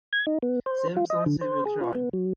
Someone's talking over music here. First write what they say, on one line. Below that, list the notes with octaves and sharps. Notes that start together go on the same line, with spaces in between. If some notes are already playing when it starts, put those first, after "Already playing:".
Simpson civil trial.
G#6
D#4
B3
C5
F4
D#5
D3
C5
G#4
F4
B3
F#3